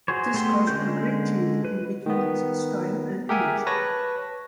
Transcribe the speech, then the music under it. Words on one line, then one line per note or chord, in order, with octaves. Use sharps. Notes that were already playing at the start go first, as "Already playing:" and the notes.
This caused a great change in Bikini's style and image.
F#4 G#4 C5 C#5
A3 B3 G4 C6
D3 G#3 C#4 A#4 G6
B4
D#3 B3
G4 G#4 A#4 E5 F#5 G#5
B4 C#5 A5 C#6 A#6